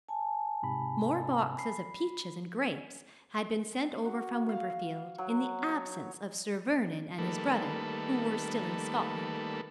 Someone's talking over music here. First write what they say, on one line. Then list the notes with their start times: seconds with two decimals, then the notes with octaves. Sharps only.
More boxes of peaches and grapes had been sent over from Wimperfield in the absence of Sir Vernon and his brother, who were still in Scotland.
0.09 G#5 A5
0.63 G#2 C3 B5
1.58 B5 C7
4.05 F#4
4.49 F5
4.70 F5
5.18 F#3
5.69 C#5
7.18 D#3 G3 A3 A#3 A4 B4